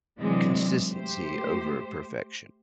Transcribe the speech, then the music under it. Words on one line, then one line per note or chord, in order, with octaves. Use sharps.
consistency over perfection.
C3 E3 F#3 G#3 C4 D4
A3 G4 C5